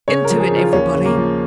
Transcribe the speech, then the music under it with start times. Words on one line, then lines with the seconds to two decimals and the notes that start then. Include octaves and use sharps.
"Into it, everybody!"
0.08 C#3 C#5
0.24 A#4
0.30 F3
0.40 G#4
0.51 C#3
0.56 F4
0.73 D#2 C#4
0.94 C#3
1.06 A#3
1.16 F3